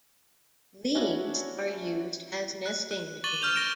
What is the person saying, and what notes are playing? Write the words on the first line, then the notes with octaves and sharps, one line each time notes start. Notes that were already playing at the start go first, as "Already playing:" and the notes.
Leaves are used as nesting material.
C#4 D4 E4 F#4 C#5
F#6
F#6
C#6 D6 A6 D#7 F#7 G7
C#6 F6 G6 F7
A#6 D7 E7